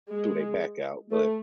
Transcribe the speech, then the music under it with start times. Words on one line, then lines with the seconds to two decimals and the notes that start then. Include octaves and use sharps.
threw they back out, but,
0.12 G#3
1.12 A3